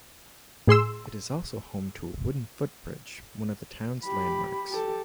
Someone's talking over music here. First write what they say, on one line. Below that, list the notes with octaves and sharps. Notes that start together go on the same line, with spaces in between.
It is also home to a wooden foot bridge, one of the towns landmarks.
A2 G#4 C6 E6
G4 B5
G4 A4